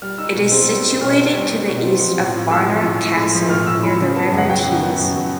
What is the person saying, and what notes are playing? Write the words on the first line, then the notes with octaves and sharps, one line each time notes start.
It is situated to the east of Barnard Castle near the River Tees.
G3 F6
D#4 E6
B2
C4
G3
D#4
B2 F6
C4
G3
D#4
B2
C4
F3
A2
A2
G#3 E6
F3
A2
A2
G#3
F3
A2 F6
A2 E6
G#3 B5
C#3
B3 A5
F#2
F#5
F#3 G5
C#3
B3
F#2
F#3